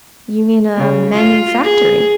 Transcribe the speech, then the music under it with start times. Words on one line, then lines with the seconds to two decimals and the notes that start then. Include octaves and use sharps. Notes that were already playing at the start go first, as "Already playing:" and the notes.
You mean a manufactory.
0.76 C#3
1.16 F4
1.63 G#4